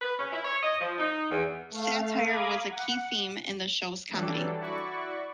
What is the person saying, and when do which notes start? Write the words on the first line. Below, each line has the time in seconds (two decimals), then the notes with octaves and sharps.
Satire was a key theme in the show's comedy.
0.02 B4
0.19 C#4
0.33 E4
0.45 C#5
0.63 D#5
0.81 F3
0.98 D#4
1.31 E2
1.71 A3 F5
2.24 F5 A#5 B5 D6 D#6 G#6
2.68 F#5
4.13 E3 F#3 G3 D4 A4
4.60 E4 F#4 D5 B5 C#6